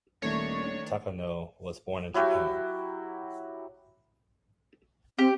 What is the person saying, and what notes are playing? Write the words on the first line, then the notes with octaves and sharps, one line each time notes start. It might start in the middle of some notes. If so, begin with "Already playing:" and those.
Takano was born in Japan.
D#1 D#3 A3 D4 C#5
F#3 E4 F#4 G4
C4 G4